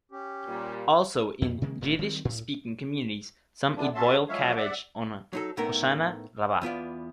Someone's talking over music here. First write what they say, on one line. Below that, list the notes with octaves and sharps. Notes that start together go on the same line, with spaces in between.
Also in Yiddish-speaking communities, some eat boiled cabbage on Hoshanah Rabbah.
C#4 G4
A#2 G3
F2
C3 D#3 G#3 A#3
D#1 A2 C3 D#3
D#3 G3 C4
D2 A2
D3 E3 B3 D4
C#4 F#4 A4 E5 A5 C6
F3 F#3 G#3 C#5 E5 F5
D5 E5 F#5
F#3 D#4 A4
A2 A3 B3 D#4 A#4
E2 B3 F4 D5